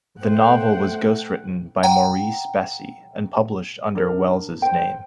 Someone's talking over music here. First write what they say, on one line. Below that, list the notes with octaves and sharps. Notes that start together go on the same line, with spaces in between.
The novel was ghostwritten by Maurice Bessy and published under Welles's name.
A3 C5 F#5 G5
F#5 G5 A#5
D4 A#4
C5 G5